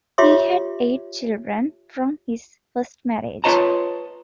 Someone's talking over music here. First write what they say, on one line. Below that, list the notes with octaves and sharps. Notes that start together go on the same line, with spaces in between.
He had eight children from his first marriage.
F4 G4 C#5 E5 C6 D6
F4 B4 C#5 D#5 A5 A#5